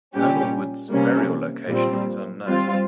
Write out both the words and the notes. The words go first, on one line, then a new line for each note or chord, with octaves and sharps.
Colonel Wood's burial location is unknown.
A#2 G3 C#4 G4
C3 G3 A#3 C#4
A#2 G3 C4
G3 C4 F4